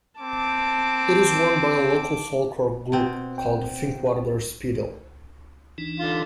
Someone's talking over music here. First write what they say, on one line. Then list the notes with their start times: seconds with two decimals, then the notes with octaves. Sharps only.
It is worn by a local folklore group called Finkwarder Speeldeel.
0.21 C4 A5 D6
2.92 B2 C4
3.38 G5
5.78 E3 D4 D#4
5.99 D3 F4